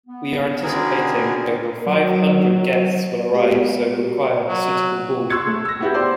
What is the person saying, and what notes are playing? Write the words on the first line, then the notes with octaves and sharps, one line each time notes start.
We are anticipating over five hundred guests will arrive so require a suitable hall.
B3
D3 D#3 B3 C#4 F#4 G#4 A#4
F#3
G#3 B3 F#4 G4 A4
F#3
C6 C#6 E6 F#6 G#6 C#7
A3
E6 A#6
B3 E4 G4
C5 D5